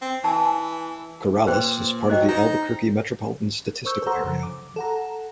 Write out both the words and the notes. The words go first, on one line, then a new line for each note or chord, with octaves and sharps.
Corrales is part of the Albuquerque Metropolitan Statistical Area.
C4
E3 G#5 A5
A#2 B4 C5 G5
F#3 C5 D#5 G5
D#4 A#5
A#4 C5 C#6 E6 G6
A4 C5 F#5 A#5 C6 E6
F#2 C#3 F3
D6
A4 F#5 A#5